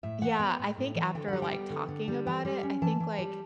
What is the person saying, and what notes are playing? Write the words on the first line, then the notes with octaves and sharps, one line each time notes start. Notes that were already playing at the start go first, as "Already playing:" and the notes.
yeah, I think after like, talking about it, I think like
A2 E5
E3 F#5
B3 G5
A2
A2
E3
D3 G5
G3 F#5
G5
B3
D3
D3
G3
E3 G5
G3
C#4
E3 A5
E3
G3